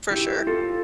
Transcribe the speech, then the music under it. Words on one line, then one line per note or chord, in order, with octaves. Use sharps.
For sure.
E4 G4
F4 A4